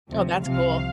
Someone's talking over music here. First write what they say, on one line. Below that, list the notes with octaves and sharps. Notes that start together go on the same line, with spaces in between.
Oh, that's cool.
D2 C3 F3
C2 C3 F3 F5